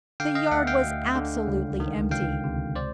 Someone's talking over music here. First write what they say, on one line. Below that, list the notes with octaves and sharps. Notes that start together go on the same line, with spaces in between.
The yard was absolutely empty.
D3 F5 G5
D#5 F5
D2 E5 F#5
F5 G5
D2
D3
C#2
D#3
C#2 F5 G5
C3
C5 D5